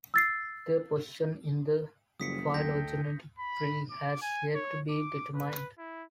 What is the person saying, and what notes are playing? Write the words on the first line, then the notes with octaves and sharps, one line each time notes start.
Their position in the phylogenetic tree has yet to be determined.
E6 A6 C7
F#1 C#3 F3 G3 D#6 B6 C#7
D2 A4 G5 G6 A#6
B5
D6
G#5
C#5
D6
B4
E4